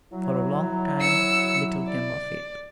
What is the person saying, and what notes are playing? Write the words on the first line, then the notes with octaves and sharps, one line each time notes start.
For a long time little came of it.
F#3 E4
E6 C#7
D5